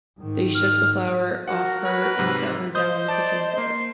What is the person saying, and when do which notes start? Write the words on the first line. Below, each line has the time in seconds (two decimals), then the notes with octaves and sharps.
They shook the flour off her and set her down on the kitchen floor.
0.19 G#2 D#3
0.55 F6
1.48 F#4 A#4 F#5
1.85 B4
2.19 G#2 C3
2.75 C5 D#5 D#6 G6
3.08 D5 A5
3.58 A#3 C6